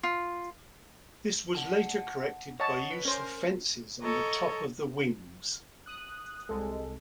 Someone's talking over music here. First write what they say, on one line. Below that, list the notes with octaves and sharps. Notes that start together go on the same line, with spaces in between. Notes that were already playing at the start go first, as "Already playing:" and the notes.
This was later corrected by use of fences on the top of the wings.
F4
F#5 A5
C#5 D#5 F#5 A5
B4
C#4 A#4 C5
A4 C#5 D#5 A#5
D#6 F#6
C2 G#3 A4